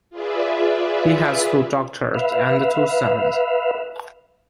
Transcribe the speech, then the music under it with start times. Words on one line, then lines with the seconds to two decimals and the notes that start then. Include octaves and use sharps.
He has two daughters and two sons.
0.10 F4 G#4 B4 D5 E5
2.14 B4 E5 F5